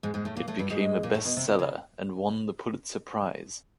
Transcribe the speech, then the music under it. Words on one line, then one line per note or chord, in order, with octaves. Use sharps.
It became a best-seller and won the Pulitzer Prize.
G#2 G#3
G#2 G#3
A2 A3
A#2 A#3
A2 A3
G2 G3
G#2 G#3
A#2 A#3
A2 A3
B2 B3
C3 C4
C3 C4
C#3 C#4